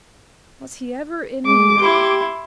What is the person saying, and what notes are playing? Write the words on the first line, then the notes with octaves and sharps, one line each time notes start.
"Was he ever in here?"
G#3 D6
E4 G4 C6